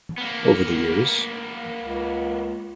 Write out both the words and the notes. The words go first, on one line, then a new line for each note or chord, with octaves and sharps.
Over the years.
A#3 B3
C#2